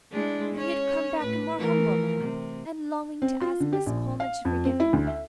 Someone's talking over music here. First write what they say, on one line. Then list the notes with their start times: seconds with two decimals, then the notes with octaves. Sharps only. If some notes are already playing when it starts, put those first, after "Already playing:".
So he had come back a more humble man, and longing to ask Miss Coleman to forgive him.
0.12 G#3 D4 E4
0.55 C#4 C#5
1.19 A2 B4
1.56 E3 A3 A#4
2.20 C3
3.22 C4
3.41 F4
3.60 D3
3.73 G4
3.86 A#1
4.20 F5
4.45 F2
4.65 C4
4.80 E4
4.93 D2
5.07 E5